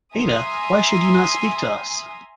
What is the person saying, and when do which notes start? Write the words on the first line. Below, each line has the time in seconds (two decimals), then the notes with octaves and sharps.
Ada, why should you not speak to us!
0.15 E5 G#5 A#5 C6 D#6